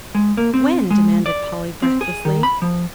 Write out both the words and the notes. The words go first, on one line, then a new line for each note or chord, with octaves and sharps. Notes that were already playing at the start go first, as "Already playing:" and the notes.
"When?" demanded Polly breathlessly.
G#3
A#3
C4
G#3
D5
C4
G#4
D#3
B5
F3